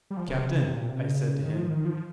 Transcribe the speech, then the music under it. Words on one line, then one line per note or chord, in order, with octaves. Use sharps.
"Captain!" I said to him.
G3
F3
C#3
C3
C#3
C3
A#2
C3
C#3
D#3
F3
D#3
F3